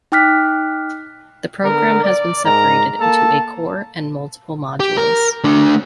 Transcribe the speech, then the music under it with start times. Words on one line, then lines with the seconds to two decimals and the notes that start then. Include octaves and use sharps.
The program has been separated into a core and multiple modules.
0.12 D#4 G5 D6 F6 F#6 B6
1.63 D3 B3 A#4
2.02 D5
2.44 G#2 A#4 A#5
2.99 A#3 A4 A5
4.80 G4
4.97 A#4
5.44 A3 D4